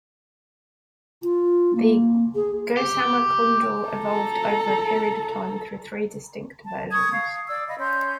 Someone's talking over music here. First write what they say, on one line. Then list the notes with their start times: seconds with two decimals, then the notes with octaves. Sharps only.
The Gossamer Condor evolved over a period of time through three distinct versions.
1.22 F4
1.75 A#3
2.34 G#4
2.77 G4
3.88 A4 A#5
6.64 A5
6.91 C#6 D#6 G#6
7.12 F5
7.48 D5 E6
7.68 D#5 F5 B5
7.79 C#4 C6 G6